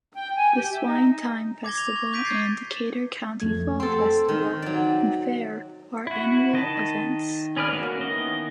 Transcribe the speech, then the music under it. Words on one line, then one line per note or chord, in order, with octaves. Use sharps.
The Swine Time Festival and Decatur County Fall Festival and Fair are annual events.
G5
G#5
G4
E5
D#4
D6 G#6 A#6 G7
F7
C#6
D6 G6 B6 D7 D#7
G#6 A6 C7
F2 A3 G#6
C4 A4 C6
D#3
F#3 D5
E4 F#4
D#3 D#5 A5
C#4 G#4 B4 D5 F6
A#3 C#4 F#4 A#4
D#3 E3 B3 D#5